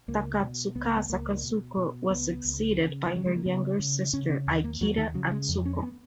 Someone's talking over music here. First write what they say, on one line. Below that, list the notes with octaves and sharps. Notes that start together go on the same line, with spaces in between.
Takatsukasa Kazuko was succeeded by her younger sister, Ikeda Atsuko.
C#2 A#3
B2
C#2 B3
A#3
B3
C#2 A#3
B2
B2
C#2 B3
C#2
C#3
F3
C#3 F#3
G#3
A#3
C#3 B3
C#3
C#3 C#4
C#4
D#2
A#3
D#2 F#3
D#3
C#3 F#3
G#3
F2
C#4
B3